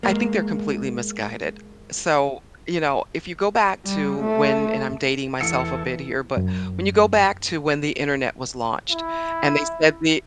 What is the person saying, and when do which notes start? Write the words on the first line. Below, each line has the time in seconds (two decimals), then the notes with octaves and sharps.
I think they're completely misguided. So, you know, if you go back to when and I'm dating myself a bit here, but when you go back to when the internet was launched and they said the
0.03 G#3 A#3
3.85 G3
4.19 A3
5.41 E2 E3 E4 A4 C#7
6.37 F#2
8.91 E4